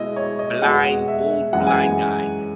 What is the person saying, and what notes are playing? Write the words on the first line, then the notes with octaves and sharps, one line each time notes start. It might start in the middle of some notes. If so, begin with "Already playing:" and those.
blind old blind guy,
Already playing: B2 G#3 E4 D#5
C#5
D#5
B2 G#3 F#5
E5
F#2 E3 G#3 F#5
G#5